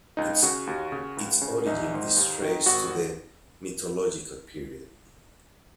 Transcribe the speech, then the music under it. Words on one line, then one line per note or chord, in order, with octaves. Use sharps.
Its origin is traced to the Mythological period.
C#2 D#4
C#3 F#4
D#2
C#3
C#2
C#3
A#1 D#4
G#2 D#3
D#2
D#3
G#1 F#4